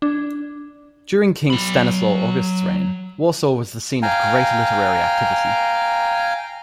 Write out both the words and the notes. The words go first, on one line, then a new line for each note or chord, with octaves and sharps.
During King Stanislaw August's reign, Warsaw was the scene of great literary activity.
D4
F#3 B5
F5 G5 G#5 A#5